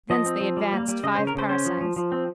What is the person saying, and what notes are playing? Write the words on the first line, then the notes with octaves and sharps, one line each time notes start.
Thence they advanced five parasangs.
F3 D#5
C4
F3
G3
A#3
G3
C#3 D#5
C5
C#3
A#4
C#3 C5
C#4 C5
F3
F3
F3
C4